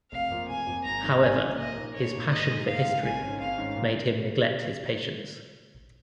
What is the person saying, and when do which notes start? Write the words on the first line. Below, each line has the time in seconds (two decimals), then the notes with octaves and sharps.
However his passion for history made him neglect his patients.
0.11 F1 F5
0.30 F2 F3 A#3 F4
0.48 F1 G#5
0.66 F2 F3 A#3 F4
0.84 G#1 A#5
1.03 G#2 F3 A#3 C#4
1.21 G#1 G#5
1.40 G#2 F3 A#3 C#4
1.58 A#1 D#5
1.76 A#2 A#3 D#4
1.94 A#1 C#5
2.12 A#2 A#3 D#4
2.30 G#2 D#5
2.49 G#3 D#4
2.67 G#2 F5
2.85 G#3 D#4
3.04 G#1 G#5
3.22 G#2 D#3 C#4
3.39 G#1 F5
3.58 G#2 D#3 C#4
3.76 A#2